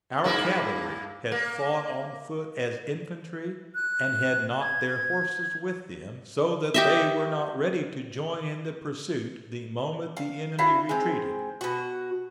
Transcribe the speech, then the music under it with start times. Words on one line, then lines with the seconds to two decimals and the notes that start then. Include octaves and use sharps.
Our cavalry had fought on foot as infantry, and had not their horses with them; so that they were not ready to join in the pursuit the moment the enemy retreated.
0.24 G2 A#3 E4
1.32 A#3
3.75 F#6
4.61 G#6
6.74 G4 D#5 E5
10.17 F5
10.59 E4 F#4 F5
10.89 G#3 C4
11.61 B2 F#4